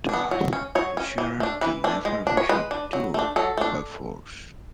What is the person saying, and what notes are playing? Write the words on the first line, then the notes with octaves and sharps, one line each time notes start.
Thus, the Sharers can never be subdued by force.
B3 D4
F#3
C#4
F#3 C#5
C#4
E3
A3 D4
E3 B4
A3 D4
G#3
D4
C#5
G#3 B4
D4
F#3
A3 D4
F#3 A4
A3 D4